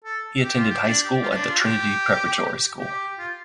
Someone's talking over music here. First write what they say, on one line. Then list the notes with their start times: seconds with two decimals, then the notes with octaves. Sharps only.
He attended high school at the Trinity Preparatory School.
0.05 A4
0.44 G4
0.57 F4
0.70 G4
0.83 D4
1.03 G4
1.23 F4
1.30 C#4
1.36 D4
1.49 F4
1.61 G4
2.79 G4
3.19 F4